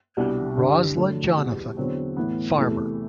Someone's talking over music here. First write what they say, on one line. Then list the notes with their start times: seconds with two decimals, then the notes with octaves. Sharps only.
Roslin Jonathan, farmer.
0.17 C2 B2 G3 D4 F#4
0.57 G2 D3 G3
0.96 D3 F#3 A3
1.37 E2 B2 G3 B3 F#4
1.77 E2 D3 F#3 C4
2.17 A2 E3 B3
2.57 E2 C3 E3 A3